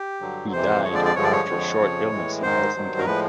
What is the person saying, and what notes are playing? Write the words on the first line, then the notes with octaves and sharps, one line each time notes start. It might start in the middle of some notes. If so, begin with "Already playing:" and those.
He died after a short illness in Helsinki.
Already playing: G4
G2 D3 F#3
F2 C3 E3 C5
F2 D3 F3 G#3 C#5
D5
D5
G2 D3 F3 G#3 C#5
D5
C#5
F2 D3 F3 G#3
F2 C#3 F3
A2 E3 G#3
G#2 D#3 G#3 C5
G2 D#3 F#3
A#4
A2 F3 G#3 B4